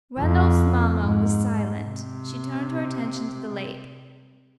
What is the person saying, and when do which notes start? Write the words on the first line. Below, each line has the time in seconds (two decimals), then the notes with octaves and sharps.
Randolph's mamma was silent; she turned her attention to the lake.
0.19 F2
1.02 G#2
1.85 C3